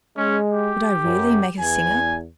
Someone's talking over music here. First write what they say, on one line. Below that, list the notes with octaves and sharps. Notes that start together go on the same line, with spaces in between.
Would I really make a singer?
G#3 C#4
G4
F#2
E2 G#5